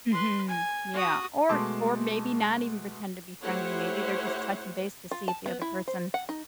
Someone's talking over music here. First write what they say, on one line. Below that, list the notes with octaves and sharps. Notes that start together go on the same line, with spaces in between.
Mhm. Yeah. Or or maybe not even pretend to be friendly, maybe they're just touching base to see if the other person
B4 C6
G#5
F#4 D#6
B2 G#3 A3 A5 C6 D6
A3 E4 G4 C5 C#5 F#5
F4
A5
B3
E4
C5
F#5
D#4